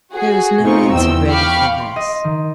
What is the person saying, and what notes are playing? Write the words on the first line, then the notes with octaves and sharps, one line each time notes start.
There was no answer ready for this.
F#4 G#4
B2 C4 D#4 F4 C#6
E2 G5 E6
F5 G5 B5 C#6 D6 F6
C6
D#5
D#3